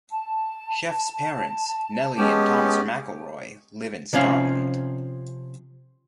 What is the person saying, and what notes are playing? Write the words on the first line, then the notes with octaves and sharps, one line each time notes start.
Chef's parents, Nellie and Thomas McElroy, live in Scotland.
A5
G#3 B3 C#4 G4
C3 F3 C#4 F5